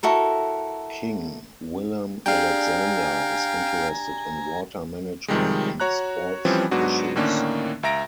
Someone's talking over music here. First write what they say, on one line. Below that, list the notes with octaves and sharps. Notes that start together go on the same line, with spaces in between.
King Willem-Alexander is interested in water management and sports issues.
E4 F#4 A4 A#4
D4 G4 G#4 F5 G5 G#5 A#5
C3 D#3 F3 G3 G#3
F#4 C#5 A#5 F#6
E3 F3 G3 C4 C#4
G#2 F#3 B3 D4 F#4
A2 D3 D#3 A#3 C#4 D4
C#2 E5 A#5 A#6 D7